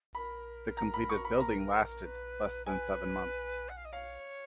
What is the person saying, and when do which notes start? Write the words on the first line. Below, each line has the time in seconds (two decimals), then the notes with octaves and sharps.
The completed building lasted less than seven months.
0.15 A#4 B5
0.77 A#5
0.94 B5
1.09 C#6
1.25 B5
1.40 A#5
2.04 B4
2.66 B4 G#5
3.69 F#5
3.77 F5
3.85 D#5
3.92 C#5 F5